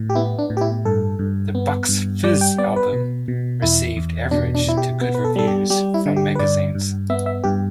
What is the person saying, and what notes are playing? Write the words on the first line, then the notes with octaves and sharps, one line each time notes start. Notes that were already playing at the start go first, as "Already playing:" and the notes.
The "Bucks Fizz" album received average to good reviews from magazines.
Already playing: A2
G4
B3 E4
D4
A2
G4
E4
G2 A4
G2
B3
G2
G3 D5
G5
B3 D5
B4
B2
B2
E2 E4
E2
B2 D4
D4
B2 E4
G4
B3
B4
A4
G3 A4
G4
G3 G4
E4
D3
G4
B4
G2 D5
G2
B3 E5
E5
G2 G4